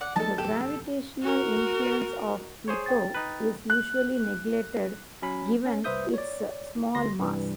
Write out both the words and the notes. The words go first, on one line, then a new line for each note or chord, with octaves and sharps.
The gravitational influence of Pluto is usually neglected given its small mass.
D5 F#5
F3 F#3 A3 D#4 A4 A5
F#1 B1 F2 G4 A4
F#4 A#4
G#4 C5 C#5
G5 A6
D#4 B4
F#6
F#3 C#4 B5
C#4
C2 B4 C5 E5 D#6 G6
C#5 D5
D2 C6 A#6
G2 C3 E3 G3